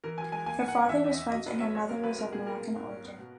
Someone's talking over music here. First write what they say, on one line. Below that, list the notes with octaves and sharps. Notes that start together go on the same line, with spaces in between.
Her father was French and her mother was of Moroccan origin.
E3 A#4
F#2 G#5
G#3 G#5
A#3 G#5
G#2
F#5
C#4
E3 E5
E2
D#5
E2
F#3 D#5
F#2 B4
C#4 E5
G#3 C#5
F#2 A#4
F#2 B4
B3 A#4
A#2 G#4
A#2 A#4
A#3
G#2
C#4
B3
B2